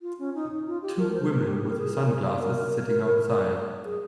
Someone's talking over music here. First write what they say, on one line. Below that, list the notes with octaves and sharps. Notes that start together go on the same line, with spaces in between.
Two women with sunglasses sitting outside.
F4
C#4
D#4
F4
G4
A#4
C5
G#4
A#4
F4
G4
G#4
G4
A#4
G#4
A#4
F5
A#4
G#4